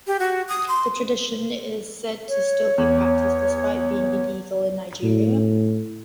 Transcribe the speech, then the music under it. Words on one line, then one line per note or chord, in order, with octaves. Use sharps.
The tradition is said still be practiced despite being illegal in Nigeria.
G4
F#4
D#6
C6
C#5
E2
A2